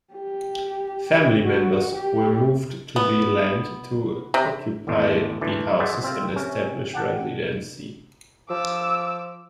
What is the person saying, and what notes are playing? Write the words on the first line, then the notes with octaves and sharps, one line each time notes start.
Family members were moved to the land to occupy the houses and establish residency.
G4
F#4
G4
B3
C3
G#1 E2 A2 G#3 A3
D2 E3 A3 D5
F#4 G#4 C5 D5 E5 F#5
C3 C4 F4
C3 C#4
G4 F#5 A5
F3 D6 E6